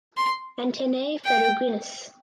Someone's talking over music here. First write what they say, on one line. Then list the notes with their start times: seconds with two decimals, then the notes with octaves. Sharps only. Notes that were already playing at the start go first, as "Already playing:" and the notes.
Antennae ferruginous.
0.17 C6
1.25 G5